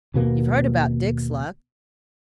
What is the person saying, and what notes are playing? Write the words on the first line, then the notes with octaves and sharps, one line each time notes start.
You've heard about Dick's luck?'
D#2 B2 A#3 B3